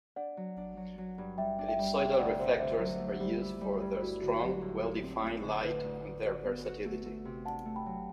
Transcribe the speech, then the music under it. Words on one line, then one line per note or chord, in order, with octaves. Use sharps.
Ellipsoidal reflectors are used for their strong, well-defined light and their versatility.
D4 D5 F#5
F#3
D4
F#3
F#3
G2
G3 E5 G5
D4
E5 G5
G3
C3 E5 G5
D2 D5 F#5
C3 C5 E5
D3 C5 E5
F#3
A3
G3 G4
E4
G3
G2 G4
E4 F#4
D3 F#4
F#3 G4
A2
A2
C4
A3
D3
D3 B4
D2
D2
F#4
B3
F#4
A3
A3
C3
D4 F#5 A5
A3
G5 B5
F#3